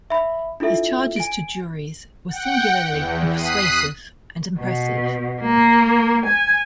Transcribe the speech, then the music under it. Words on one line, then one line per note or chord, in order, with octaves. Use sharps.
His charges to juries were singularly persuasive and impressive.
E5 B5
D4 E4 F4 A4 E5
G#5 D7
F#5 G5
E2
D#6 F#6 B6 C7 D#7
B2
A#3
G#5